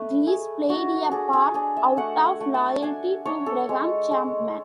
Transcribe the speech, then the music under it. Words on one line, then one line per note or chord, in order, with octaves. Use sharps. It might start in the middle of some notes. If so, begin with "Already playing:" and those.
Cleese played a part out of loyalty to Graham Chapman.
Already playing: A3 B4
A3 G#4
D4 F#4
D4 G#4
G#4
D4 G#4
E5
A3 F#5
G#5
A3
A5
D4 G#5
D4 C#5
A4
G#3
G#3